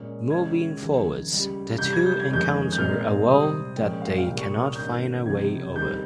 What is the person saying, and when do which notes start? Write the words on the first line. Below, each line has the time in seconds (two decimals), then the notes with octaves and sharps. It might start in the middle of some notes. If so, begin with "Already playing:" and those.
Moving forward, the two encounter a wall that they cannot find a way over.
Already playing: A#2 G#3 C#4
0.30 C#2 C#3 G#3 C#4 G#6
0.80 D#2 C#3 F3
1.30 C#2 C#3 G3
1.78 C2 C3 G3 G6
1.93 G#6
2.06 G6
2.19 G#6
2.28 F2 D#3 G#3 C#4 G6
2.72 G6
2.78 A#2 G#3 C4 F6
3.27 C3 G3 C4 D#6
3.77 A#2 F3 G#3 C#4 G5
4.02 F5
4.18 F5
4.26 C2 A#2 G3 G5
4.38 C#6
4.51 D#6
4.64 F6
4.76 G#2 D#3 A#3 C#4 G6
5.25 C#2 C3 F3 C4 G#6
5.75 D#2 D#3 G3 C4 G6